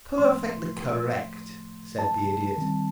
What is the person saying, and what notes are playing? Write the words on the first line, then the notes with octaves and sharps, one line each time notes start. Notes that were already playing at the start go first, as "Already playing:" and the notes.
"Perfectly correct," said the Idiot.
A2 F3 A3 C6
A5
D#3 G3 C4